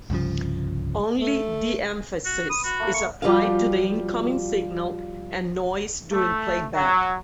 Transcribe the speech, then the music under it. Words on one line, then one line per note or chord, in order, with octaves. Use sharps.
Only de-emphasis is applied to the incoming signal and noise during playback.
C2 G2 C#3 F3
A3
F#4
B4 D#6
F#4
A3 A#3
C#6
F3 G3 F4 F#4 B4 F5
A3
F#3